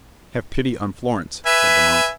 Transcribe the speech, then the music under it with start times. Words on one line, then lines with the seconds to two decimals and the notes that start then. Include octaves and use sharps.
"Have pity on Florence," said the monk.
1.46 B4 E5 G#5